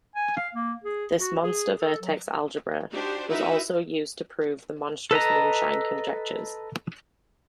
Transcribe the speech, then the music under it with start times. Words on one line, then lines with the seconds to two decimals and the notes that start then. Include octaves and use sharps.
This monster vertex algebra was also used to prove the monstrous moonshine conjectures.
0.15 G#5
0.37 F5
0.54 A#3
0.84 G#4
1.19 F#4
1.44 G#4
1.80 A4
2.01 F#3
2.92 D4 D#4 F#4 G4 C5
3.29 D#4 E4 F#4 A#4 B4 E5
5.11 A4 B4 D#5 A#5